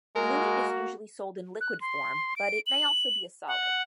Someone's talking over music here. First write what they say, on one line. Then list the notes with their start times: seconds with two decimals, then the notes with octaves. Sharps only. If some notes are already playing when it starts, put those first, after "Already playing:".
Bluing is usually sold in liquid form, but it may also be a solid.
0.16 G#3 A#3 F#4 A#4
1.61 F#6
1.81 C6
2.36 D7
2.66 F#7
3.47 F#5